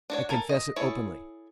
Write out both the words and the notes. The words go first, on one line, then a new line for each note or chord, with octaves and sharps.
I confess it openly.
D4 F#4 C#5
A4 A#4 G#5
D#5
E4 G#4 A4 C#5